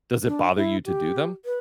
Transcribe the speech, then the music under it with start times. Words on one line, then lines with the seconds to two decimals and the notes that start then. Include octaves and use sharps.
does it bother you to do them?
0.27 D4
0.56 E4
0.85 G4
1.45 B4